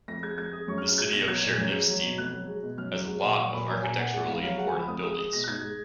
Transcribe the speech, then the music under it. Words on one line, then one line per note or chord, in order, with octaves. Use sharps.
The city of Chernivtsi has a lot of architecturally important buildings.
F2 A#6
G#3 G#6
F2 G#6
G#3 D#6
F#2 C#6
F6
G#3
F6
G#3 G#6
B2 A#6
F#3 G#6
A#2
F#2
G#3
F#3
B2
F2 F#6
F#3
G#3
B2
F#2 F6
F#3
G#3
A#2
F#3 C#6
A#2 B5
F#3 A#5
A#2 G#5
A#2 F#5
G#3 F#5
F2 F5
F#3 F5
G#3 F#5
G#5
F3 B5
F2 D#6
G#3 D#6
G#3 D#6
B2 A#6
F#6
G#2 G#6
G#3